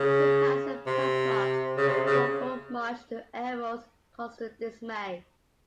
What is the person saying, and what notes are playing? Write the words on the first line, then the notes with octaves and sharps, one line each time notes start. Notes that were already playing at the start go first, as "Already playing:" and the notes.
She has a pet rock, Rocco, much to Elmo's constant dismay.
Already playing: C#3
C3
C#3
C3
C#3